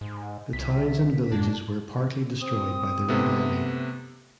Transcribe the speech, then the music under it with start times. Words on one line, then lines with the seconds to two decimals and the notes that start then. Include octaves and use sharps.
The towns and villages were partly destroyed by the Red Army.
0.01 G#2
0.53 C2 B6
1.32 F#2 A2 G#3 D4
2.42 C4 D#6
3.09 C3 A3 B3